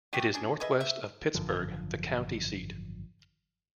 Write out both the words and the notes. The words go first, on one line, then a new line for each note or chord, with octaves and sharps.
It is northwest of Pittsburg, the county seat.
F#3 A3 G4
C#4 D4 G#4
G#4 B4 D#5 E5
E5
G#1 F#2 D3 F3